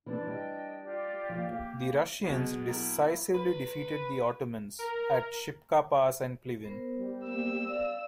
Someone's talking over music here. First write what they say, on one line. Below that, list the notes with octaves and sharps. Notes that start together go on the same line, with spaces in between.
The Russians decisively defeated the Ottomans at Shipka Pass and Pleven.
E3 C4 D4 D5
G3 D#5 G5
F4 G4 D5
F3 A#3
G4 F5
B2 F#3 G#3 B3 F#4
A#3 E4
B4
A#4
B3 A#4 C5
G3
A#3 E6
D5 F5